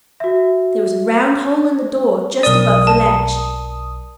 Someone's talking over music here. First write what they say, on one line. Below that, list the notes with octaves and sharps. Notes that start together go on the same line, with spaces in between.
There was a round hole in the door just above the latch.
F#4 E5
B1 A#4 D5 D#6
A5